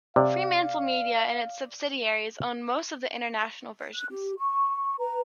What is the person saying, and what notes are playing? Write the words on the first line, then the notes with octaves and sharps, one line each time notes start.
FremantleMedia and its subsidiaries own most of the international versions.
C3 D5 F5
F#6
G4
C#6
B4 A#5